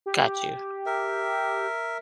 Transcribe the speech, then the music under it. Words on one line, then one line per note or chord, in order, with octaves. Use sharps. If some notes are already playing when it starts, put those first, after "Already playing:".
Got you.
G4
A#4 E5